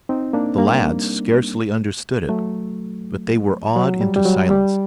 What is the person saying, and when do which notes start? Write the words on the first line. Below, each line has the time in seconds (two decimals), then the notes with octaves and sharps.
The lads scarcely understood it, but they were awed into silence.
0.09 C4 D#4
0.33 A#3 D4
0.58 G3 A#3
2.29 F#3 A3
3.76 F#3
4.01 G3
4.16 G3
4.26 F#3
4.51 G3